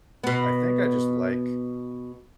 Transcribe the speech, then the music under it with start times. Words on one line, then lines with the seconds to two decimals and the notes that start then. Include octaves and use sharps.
I think I just like
0.24 B2 B3